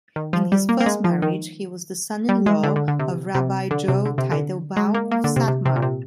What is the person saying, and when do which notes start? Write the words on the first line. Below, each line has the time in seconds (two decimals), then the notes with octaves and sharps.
In his first marriage, he was the son-in-law of Rabbi Joel Teitelbaum of Satmar.
0.16 D#3
0.33 F3
0.52 G3
0.69 A#3
0.81 A#3
0.86 G#3
1.04 F3
1.22 D#3
2.29 G3
2.46 G#3
2.63 D3
2.76 D3
2.88 D3
2.99 C3
3.35 C3
3.71 D3
3.88 C3
4.06 D3
4.18 C3
4.32 D3
4.77 G#3
4.95 A#3
5.12 A#3
5.24 D3
5.36 C3
5.48 C3
5.65 C3
5.76 A#2
5.82 C3